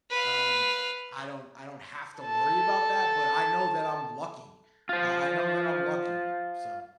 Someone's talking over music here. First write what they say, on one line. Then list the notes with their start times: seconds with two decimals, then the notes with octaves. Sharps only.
um, I don't I don't have to worry about that, but I know that I'm lucky, I I know that I'm lucky, so
0.10 B4 F5
2.20 A4 A5
4.89 F4 C5